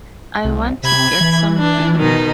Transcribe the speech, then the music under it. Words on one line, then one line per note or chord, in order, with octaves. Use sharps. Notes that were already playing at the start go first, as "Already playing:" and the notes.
I want to get some dinner.
C2
C3 B5 G#6
E3
D4
B2 D#3 D#4